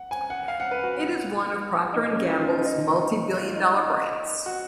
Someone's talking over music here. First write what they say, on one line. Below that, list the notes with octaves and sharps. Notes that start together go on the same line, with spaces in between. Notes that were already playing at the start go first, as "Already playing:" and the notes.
It is one of Procter and Gamble's multibillion-dollar brands.
Already playing: F#5
G#5
F#5
F5
F#5
B4
F#4
D#4
C#4
F4
D#4
D#4
F4
D#4
D#4
F#4